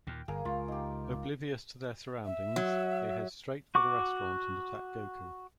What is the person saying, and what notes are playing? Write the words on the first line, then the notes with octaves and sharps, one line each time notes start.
Oblivious to their surroundings, they head straight for the restaurant and attack Goku.
D#2 A#2 G5
G1 A#3 G#4 A#4
C#2 F4
D#4 G4
E5
F#3
F#4 C#6 D6